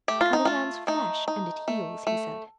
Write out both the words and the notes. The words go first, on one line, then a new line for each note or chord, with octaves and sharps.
"Cut a man's flesh and it heals," he said.
A3 G4
F4
D#4
A3 F4
A3 D#4
D#4
A3
A3